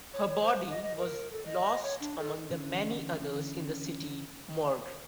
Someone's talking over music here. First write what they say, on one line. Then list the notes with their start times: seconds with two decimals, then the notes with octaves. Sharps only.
Her body was lost among the many others in the city morgue.
0.14 C#5
0.28 C#5
0.42 C5
0.70 D#5
0.83 D#5
0.97 A#4
1.32 A4
1.46 D#5
1.83 C#5
2.00 D4
2.19 A4
2.50 D3 E3 C#4